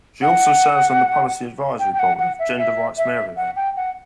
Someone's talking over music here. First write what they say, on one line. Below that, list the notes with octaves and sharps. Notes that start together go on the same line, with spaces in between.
She also serves on the Policy Advisory Board of Gender Rights Maryland.
F#5
G5
G5
F#5
F#5
E5
E5
E5
F#5
G5
F#5